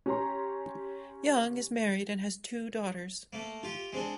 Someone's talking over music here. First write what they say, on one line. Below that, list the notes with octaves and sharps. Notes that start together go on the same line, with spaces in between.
Young is married and has two daughters.
C#4 G4 A#5 C6
A3 A#3
F4 G4
G#3 C4 D4